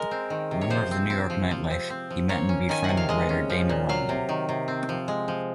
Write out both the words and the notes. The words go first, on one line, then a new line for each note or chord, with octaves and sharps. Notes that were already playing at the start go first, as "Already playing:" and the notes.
A member of the New York nightlife, he met and befriended writer Damon Runyon.
Already playing: G#3 A#4
C4
D#3
C3
C#5
F3 C5
C4
C4
F3
F3
C4
C4
F3
A#3 C#5
C#4
D#3 G#5
C3 F#5
F5
G#3 D#5
C#4
F3
A#2
F#3 F5
C3
D#3
C3
C4
F3
G#3
F3